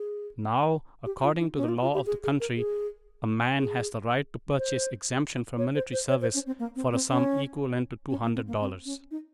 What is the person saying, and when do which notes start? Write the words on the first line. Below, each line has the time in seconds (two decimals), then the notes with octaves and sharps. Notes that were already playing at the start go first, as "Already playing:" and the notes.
Now, according to the law of the country, a man has the right to purchase exemption from military service for a sum equivalent to two hundred dollars.
Already playing: G#4
1.05 G4
1.23 F4
1.39 D#4
1.56 C#4
1.64 D#4
1.69 F4
1.82 F4
1.94 G4
2.06 G#4
2.23 G#4
2.40 A#4
2.57 G#4
3.57 G#4
4.58 C5
5.58 C#5
5.75 C5
5.92 C5
6.09 C#5
6.22 C5
6.34 C#4
6.46 C4
6.59 A#3
6.76 C4
6.93 C4
7.10 C#4
8.10 C#4
8.23 A#3
8.35 C4
8.48 A#3
8.60 C4
8.85 C#4
9.11 D#4